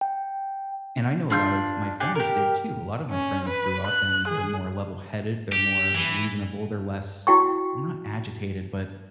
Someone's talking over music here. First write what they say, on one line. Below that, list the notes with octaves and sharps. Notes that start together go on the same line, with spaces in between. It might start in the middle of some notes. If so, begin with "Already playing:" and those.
And I know a lot of my friends did, too. A lot of my friends grew up, and they're more level-headed, they're more reasonable, they're less well, not agitated, but
G5
D4 F4 E6 G6
D4 G4 F#5 G#5
G4 A#4
C#4
B4
F#6
G#4
G4
E3
E4 F#4 G5 C#6